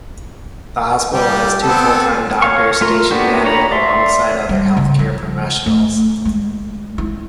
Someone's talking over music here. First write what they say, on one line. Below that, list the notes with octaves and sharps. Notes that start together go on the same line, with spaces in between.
The hospital has two full-time doctors stationed at it, alongside other healthcare professionals.
G3 G4
B3 C4 A4
C#5 F5 C#6
A3 F4 A#4
A#3 B3 D4 F#4 G4
G4 C#5 A#5 B5
D5 E5 C6
G3
C#3
F3
A3
G#3
E4